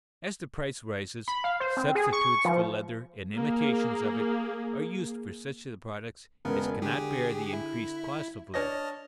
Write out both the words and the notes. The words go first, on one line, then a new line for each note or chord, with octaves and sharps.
As the price rises, substitutes for leather, and imitations of it, are used for such of the products as cannot bear the increased cost of leather.
B5
F5
C5
C4
G#4
C#6
F3
A#3 G#4
E1 C#3 B3 A#4
D3 G4 G#4
E4
D4 C#5 D#5 A5 F6 A#6